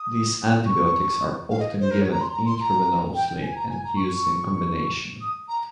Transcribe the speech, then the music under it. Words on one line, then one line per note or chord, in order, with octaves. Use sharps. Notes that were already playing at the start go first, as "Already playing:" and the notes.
These antibiotics are often given intravenously and used in combination.
Already playing: D#6
C#6
F5
D#5
C5
A#4
C#5
A#5
C6
A#5
C6
A#5
G5
G#5
A#5
G#5
A#5
C#6
D#6
A#5